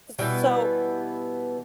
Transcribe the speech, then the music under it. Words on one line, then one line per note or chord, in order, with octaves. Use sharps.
S so
B2 E3 G3 B3